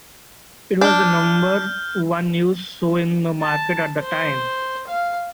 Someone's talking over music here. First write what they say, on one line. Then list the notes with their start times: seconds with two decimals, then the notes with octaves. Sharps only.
It was the number one news show in the market at the time.
0.81 D4 F6 G6
3.42 A5
4.01 C5
4.87 F5